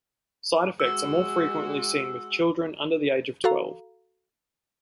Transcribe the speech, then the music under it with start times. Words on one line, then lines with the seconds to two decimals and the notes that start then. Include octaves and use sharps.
Side effects are more frequently seen with children under the age of twelve.
0.80 G#3 F#4 E6
3.44 F#4 A4 F5 A#5